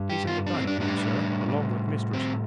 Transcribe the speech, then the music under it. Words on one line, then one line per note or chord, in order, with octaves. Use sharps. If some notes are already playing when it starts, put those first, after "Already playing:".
'He's in the dining-room, sir, along with mistress.
Already playing: G2 G3
G4
F4
D4
C4
D4
A2 G3 D4
C4